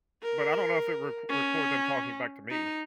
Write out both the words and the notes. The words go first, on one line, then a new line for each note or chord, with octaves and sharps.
but I don't know if it rec record them talking back to me.
A#4
C#4
D#4